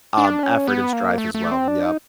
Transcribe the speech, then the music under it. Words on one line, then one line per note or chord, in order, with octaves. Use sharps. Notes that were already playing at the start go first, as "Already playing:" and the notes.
um, effort and strife as well. Yep.
D4
C#4
B3
A#3
A3
A3
C4
D4
D#4